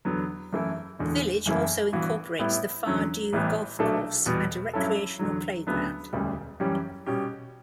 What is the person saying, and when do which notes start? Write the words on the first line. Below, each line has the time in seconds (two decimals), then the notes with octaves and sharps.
The village also incorporates the Fardew golf course and a recreational playground.
0.05 E2 D3 F#3 B3
0.53 F#2 E3 A3 E4
0.99 E1 E2 D3
1.46 F#1 F#2 E3 A3 E4
1.93 G2 E3 B3 F#4
2.39 A2 G3 B3 E4
2.86 E2 D3 F#3 C#4
3.33 A1 A2 E3 G3 B3
3.79 B1 B2 A3 D4 A4
4.26 E2 B2 G3 B3
4.73 G2 F#3 C#4 E4 A4
5.19 E2 D3 F#3
5.67 D2 C#3 F#3 B3 D4
6.13 E1 D2 C#3 G3
6.60 F#2 E3 G3 C#4 G4
7.06 B2 G3 C#4 G4